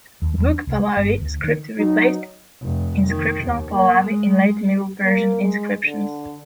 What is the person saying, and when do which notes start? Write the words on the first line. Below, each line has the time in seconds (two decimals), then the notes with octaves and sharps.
Book Pahlavi script replaced Inscriptional Pahlavi in late Middle Persian inscriptions.
0.22 D#2
0.38 E2
0.50 D4
0.67 C2
0.79 G#3
0.97 G1
1.21 D2
1.44 D#3
1.77 F#3 D#4
2.62 F1
3.09 D#3
3.44 D#2
3.73 A#3
4.03 G#3
5.05 A#3
5.42 G#3
5.85 D3